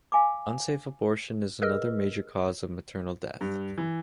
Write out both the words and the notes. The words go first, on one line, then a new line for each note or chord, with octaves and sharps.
Unsafe abortion is another major cause of maternal death.
F5 G#5 B5 D6
G#4 A#4 B4 D#5 E6 F6
G2
E3